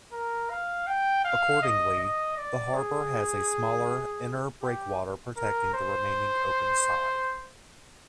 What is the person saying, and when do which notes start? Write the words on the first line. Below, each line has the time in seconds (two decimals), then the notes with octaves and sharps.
Accordingly, the harbour has a smaller inner breakwater protecting the remaining open side.
0.13 A#4
0.50 F5
0.87 G5
1.25 F5
1.62 D#5
1.99 D#5
2.37 D5
2.74 G#4
4.62 G4
5.37 A#4
5.74 C5